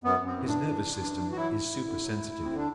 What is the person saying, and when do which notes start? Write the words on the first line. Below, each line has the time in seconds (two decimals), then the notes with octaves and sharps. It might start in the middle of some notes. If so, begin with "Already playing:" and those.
His nervous system is supersensitive.
0.04 F#2 B3
0.21 F#2
0.26 C4
0.37 E3
0.48 D4
0.54 E3
0.71 F#2
0.87 F#2
1.03 E3
1.20 E3
1.32 F#4
1.36 F#3 E4
1.53 D2
1.69 D2
1.85 D3
2.02 F#3
2.18 D2
2.35 D2
2.45 C4
2.51 D3 D4